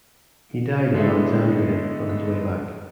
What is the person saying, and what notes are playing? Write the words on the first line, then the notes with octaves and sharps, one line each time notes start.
He died in Alexandria on his way back.
D3 G#3 A3 B3 E4